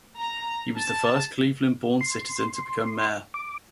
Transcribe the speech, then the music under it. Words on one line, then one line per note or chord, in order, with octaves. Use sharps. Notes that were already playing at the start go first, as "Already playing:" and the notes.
He was the first Cleveland-born citizen to become mayor.
A#5
A5
C6
D6